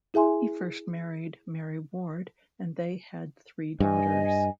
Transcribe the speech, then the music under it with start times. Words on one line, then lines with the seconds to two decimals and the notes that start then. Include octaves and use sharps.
He first married Mary Ward and they had three daughters.
0.14 E4 G#4 E5 G#5 C6
3.80 G2 D#5 G#5